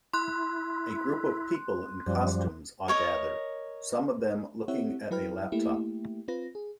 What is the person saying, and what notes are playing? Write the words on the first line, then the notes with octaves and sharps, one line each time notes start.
A group of people in costumes are gathered, some of them looking at a laptop.
E4 C6 F#6
F#2 F3 G3
A#4 C#5 D#5
C4 E4 G4 C#5 E5 F#5
F#3 E4 B4 G5 F6
A3 A#3 E4 G4
C4 F4 B4 A#6
G#4